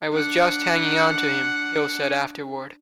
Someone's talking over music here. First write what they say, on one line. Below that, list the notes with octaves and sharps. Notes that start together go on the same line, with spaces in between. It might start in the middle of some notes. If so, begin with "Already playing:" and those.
"I was just hanging on to him," Hill said afterward.
D4 F#5